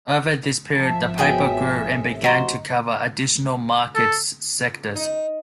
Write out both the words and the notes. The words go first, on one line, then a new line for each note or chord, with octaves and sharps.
Over this period the paper grew and began to cover additional market sectors.
G#1 F3 E5 A5
B3 D#4 F#4 G#4 C#5 G5
D#2 A2 C3
F#4 C5 D#5 A#5
A4
D#4